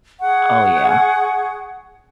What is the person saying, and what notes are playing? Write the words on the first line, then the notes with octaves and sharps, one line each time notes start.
Oh yeah.
G#4 F#5 C#6